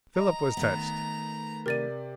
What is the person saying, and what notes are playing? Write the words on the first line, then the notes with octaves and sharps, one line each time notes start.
Philip was touched.
D#5 A#5
D#3 A3 B3
C3 A#4 D5 A6 D#7